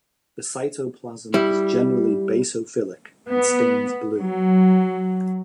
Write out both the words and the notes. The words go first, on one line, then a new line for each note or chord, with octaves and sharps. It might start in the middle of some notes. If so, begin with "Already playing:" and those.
The cytoplasm is generally basophilic and stains blue.
G3 E4
B3
F#3